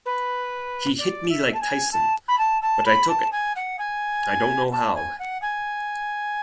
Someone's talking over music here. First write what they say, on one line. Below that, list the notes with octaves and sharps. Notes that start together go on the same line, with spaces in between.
He hit me like Tyson, but I took it - I don't know how.
B4
D5
E5
A5
G#5
A5
B5
A5
A5
B5
A5
G#5
F#5
G#5
A5
G#5
F#5
G#5